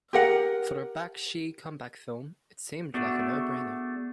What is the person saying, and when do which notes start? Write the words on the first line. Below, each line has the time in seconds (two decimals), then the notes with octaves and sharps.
For a Bakshi comeback film, it seemed like a no-brainer.
0.13 G4 A#4 F#5
2.94 A3 B3 D4 F#4 G#4